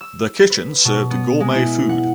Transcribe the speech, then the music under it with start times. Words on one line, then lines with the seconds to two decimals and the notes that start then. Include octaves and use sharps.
The kitchen served gourmet food.
0.01 E6
0.50 B4
0.85 B2
1.10 B3
1.40 G#3
1.55 E4
1.89 F#5